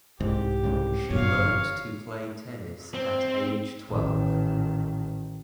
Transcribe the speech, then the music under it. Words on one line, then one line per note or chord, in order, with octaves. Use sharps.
She learned to play tennis at age twelve.
C2 G#2 G4
C2 G#2 C#3
G1 F#2 A#2 C#5 F5
C4
A1 D#3